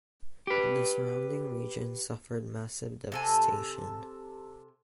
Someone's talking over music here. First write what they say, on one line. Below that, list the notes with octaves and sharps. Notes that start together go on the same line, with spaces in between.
The surrounding region suffered massive devastation.
G4 B4
C3 A4 G#5